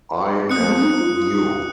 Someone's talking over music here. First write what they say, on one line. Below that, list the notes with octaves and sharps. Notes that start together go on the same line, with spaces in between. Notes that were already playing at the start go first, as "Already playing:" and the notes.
I am new.
C4 D#6 F#6 C#7
A#3
G#3
C4
D#4
F4
F4
D#4